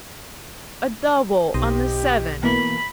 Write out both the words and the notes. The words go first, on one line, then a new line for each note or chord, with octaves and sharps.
"A 'double' on the seven!"
B1 G4 C5 D#5
B2 E3 A#3 B5